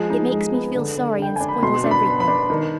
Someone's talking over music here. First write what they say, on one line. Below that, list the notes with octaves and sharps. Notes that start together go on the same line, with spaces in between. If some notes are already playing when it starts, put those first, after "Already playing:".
It makes me feel sorry and spoils everything.
Already playing: F3 G#3
D#4
G#3
B3
D3
D3
D3 G5
D4 G#5
B5
B2 C6
D4
B5
B3
B5
D4
D#3